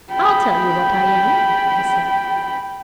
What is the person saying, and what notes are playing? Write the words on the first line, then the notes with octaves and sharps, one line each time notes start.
"I'll tell you what I am," I said.
G5 B5